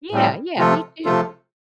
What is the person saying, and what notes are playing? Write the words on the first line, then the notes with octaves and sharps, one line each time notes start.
Yeah, yeah. Me too.
A2 G3 C4
C3 F3 A3 F4 A4
C3 F3 A3 F4 A4